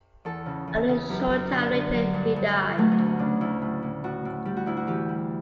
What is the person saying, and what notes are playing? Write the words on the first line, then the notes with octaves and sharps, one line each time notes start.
Only a short time later he died.
E2 A4
C#3
E2
C#3
F#2 G4
F#2
D3
D3
F#3
G2
G2
G2
F#3 A3
B3
D2
B3
C#3 D4
D2 E4
A2
A2
A2 F#4
A2
G3 G4
F#4
D2 E4
F#4
E3 G4
G3